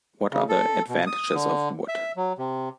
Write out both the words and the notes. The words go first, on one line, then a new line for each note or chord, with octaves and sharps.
What are the advantages of wood?
C#3
A4
B2
D#6
D3
E5
F#3
C3